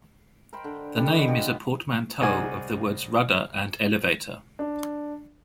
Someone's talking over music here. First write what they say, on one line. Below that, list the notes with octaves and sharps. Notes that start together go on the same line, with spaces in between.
The name is a portmanteau of the words rudder and elevator.
A#4 C5 G5 B5
D3
D3 D#3 G3 G4
F#4 A#4 B4 D#5
B3 F4 G4
C2 D#4 G#4 F#5 G#5 D6
D4